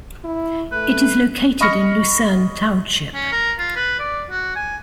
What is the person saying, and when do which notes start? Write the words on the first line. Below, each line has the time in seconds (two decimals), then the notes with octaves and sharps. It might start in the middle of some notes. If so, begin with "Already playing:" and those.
It is located in Luzerne Township.
0.24 E4
0.72 A3 B4
1.60 D#5 B5 C#6 F6 A#6 C#7
3.14 C#4
3.32 A#4
3.59 F4
3.76 B4
3.99 D5
4.30 F#4
4.56 G#5